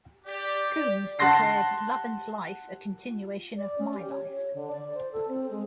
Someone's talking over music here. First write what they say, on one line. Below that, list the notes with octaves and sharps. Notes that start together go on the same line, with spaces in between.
Combs declared "Love and Life" a continuation of "My Life".
G4 D5
F#5 A5 C6 A#6 C7
D5
C#4
G4
C#5
C#5
D3
D5
C5
A4
C4
G#3